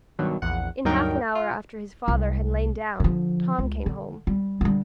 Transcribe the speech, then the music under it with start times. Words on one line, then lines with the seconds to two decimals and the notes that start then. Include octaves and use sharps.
In half an hour after his father had lain down Tom came home.
0.19 G2 B2 D#3 F#3
0.42 A#1 E2 F#5
0.85 D2 G2 F#3 D#4 A#4 G5
1.35 F4
2.08 C2
3.00 D3 F3
3.59 C#2
3.86 D3
4.27 G3
4.61 D3 G3